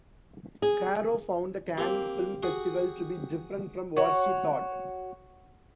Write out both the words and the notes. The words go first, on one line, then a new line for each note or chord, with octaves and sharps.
Caro found the Cannes Film Festival to be different from what she thought.
G#4
A#3 C4 G4
F#4 G#4
F#4 C#5